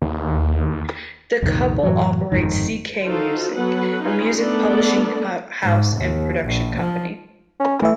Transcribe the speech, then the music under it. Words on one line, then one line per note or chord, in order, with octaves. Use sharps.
The couple operate CeKay Music, a music publishing house and production company.
D#2
C2 F2 A#2 D#3
F#2 A2 E3 F#3
G1 F2 G#2 D#3
D#4 F4 F#4 A4 C5
F#3 B3 A4 B4 F#5
C#4 D#4 F4 G#4 B4
A3 B3 D4 A4 A#4 D5
G#2
D#2
A#1
F3
C#4
E3 A3 E5